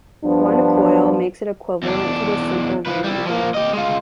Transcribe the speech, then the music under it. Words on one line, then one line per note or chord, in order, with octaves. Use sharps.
One coil makes it equivalent to the simple running knot.
G2 F3 B3 D4
E2 D4
F3 B4
G3 E4
F3 A#3
G4 D#5
G#3 F4